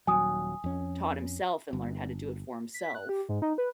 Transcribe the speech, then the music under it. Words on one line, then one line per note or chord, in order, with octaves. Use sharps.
taught himself and learned how to do it for himself.
D#1 F#3 G#5 D#6
F2 C#4
G1
B6
F#6
G4
G#2
D#4
B4